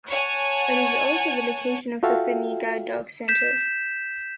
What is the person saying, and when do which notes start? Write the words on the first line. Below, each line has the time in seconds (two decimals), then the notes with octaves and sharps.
It is also the location of the Sydney Guide Dog Centre.
0.10 C#5 F#5 G#5 A5
2.03 F4 F#4 A4 E5 F5 G5
3.28 G6 B6 E7